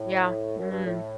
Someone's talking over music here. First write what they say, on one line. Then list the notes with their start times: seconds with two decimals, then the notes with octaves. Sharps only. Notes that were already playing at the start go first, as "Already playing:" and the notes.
Yeah. Mm.
Already playing: A2
0.59 F#2
0.71 G2
0.85 A2